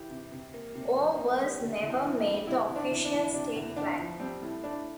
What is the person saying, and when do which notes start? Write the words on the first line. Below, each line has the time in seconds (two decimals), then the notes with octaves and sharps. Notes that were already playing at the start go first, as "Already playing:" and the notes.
Or was never made the official state flag.
Already playing: E3 G4
0.10 C3
0.32 C3
0.54 A#3
0.75 C3
0.96 F2
1.18 A#3
1.40 G3
1.62 D3
1.83 E2
1.90 C4
2.04 E2
2.19 D4
2.26 G3
2.47 C3 E4
2.69 E2
2.76 D4
2.91 E2
3.05 D4
3.13 E3
3.34 C3 D4
3.56 E2
3.76 E2 D4
3.99 F3
4.20 G3 C4
4.42 A2
4.64 A2 D4